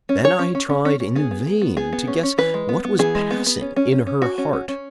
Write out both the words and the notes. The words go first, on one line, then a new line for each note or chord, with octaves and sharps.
Then I tried in vain to guess what was passing in her heart.
C#4
C#4 C#5
C#4
C#4
C#4
C#4
C#4
B3 G#4
B3
B3
B3
B3 G#4
B3
C#4
C#4
E3 B4
G#3
B3
B3
E3 G#4
G#3
B3
B3
C#4
C#4
C#4
C#4
C#4 F#4
C#4
C#4
C#4